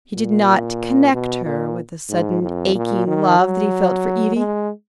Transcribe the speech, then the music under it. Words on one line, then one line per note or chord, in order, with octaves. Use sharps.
He did not connect her with the sudden aching love that he felt for Evie.
A#2
B2
A#2
G#2
F2
A#2
D#3
F#3
G#3